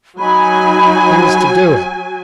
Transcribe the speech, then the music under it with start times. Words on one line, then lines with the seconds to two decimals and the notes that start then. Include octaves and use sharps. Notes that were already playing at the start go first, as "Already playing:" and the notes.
He was to do it.
0.19 F#3 D#4 G#5 B5